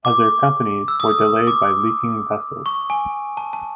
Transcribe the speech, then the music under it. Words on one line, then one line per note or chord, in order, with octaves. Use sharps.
Other companies were delayed by leaking vessels.
D6
E6
D#6
D6
C#6
G#5
A5
A5